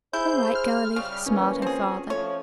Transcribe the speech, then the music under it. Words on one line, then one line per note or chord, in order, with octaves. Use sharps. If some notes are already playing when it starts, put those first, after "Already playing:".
"All right, girlie," smiled her father.
E4 G#4 C5 G6
F6
C#3 G3
D2 E3 A#3 C#4 B4
F3 C4 G#4
F3 A3 C#5